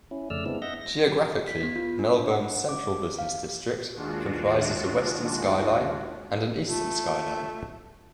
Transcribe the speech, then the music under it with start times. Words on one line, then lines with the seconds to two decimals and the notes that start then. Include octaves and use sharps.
Geographically, Melbourne's central business district comprises a western skyline and an eastern skyline.
0.11 C#4 E4
0.30 F2 C#3 A3 D5 E6 F6
0.46 G#3 B3 C4 D4 E4
0.62 D#5 E5 F#5 G6 A#6
0.81 A#6
1.07 F#3 G4
1.48 B6
1.63 B3
1.76 F4
1.99 D4
2.31 F#5
2.69 D6
3.19 F5
3.94 D#2 G#3 D4 F4 F#4
6.68 A3 F4